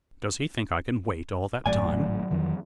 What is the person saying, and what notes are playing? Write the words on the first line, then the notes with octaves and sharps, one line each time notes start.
"Does he think I can wait all that time?"
G#1 A2 F#3 D5 G#5
F2 D#3 E3